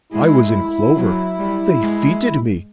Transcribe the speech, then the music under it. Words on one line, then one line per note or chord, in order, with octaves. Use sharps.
I was in clover. They fêted me.
G#3 E4
F#3
G3
G#3